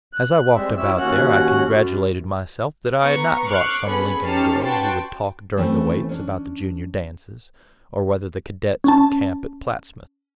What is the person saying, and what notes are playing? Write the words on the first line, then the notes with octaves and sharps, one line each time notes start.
As I walked about there I congratulated myself that I had not brought some Lincoln girl who would talk during the waits about the Junior dances, or whether the cadets would camp at Plattsmouth.
F#6
G3 G#3 C4 E5
F#2 C#4 E4 E6
D#2 C#4 F#4 F#6
F#2
B3 B4 A#5 C#6
C#6 D6 F6 F#6 C7 C#7
B3 C#4 G#4 A4 C#5 B5
C#4 D#4 G4 A5 F6 C7
F#4 B4 G5 A5 C6
E3 A3 C4 C#4
C#4 D4
C#4 A5